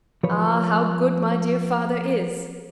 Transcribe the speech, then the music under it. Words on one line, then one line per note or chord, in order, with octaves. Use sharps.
"Ah, how good my dear father is!"
F3 B4 C#5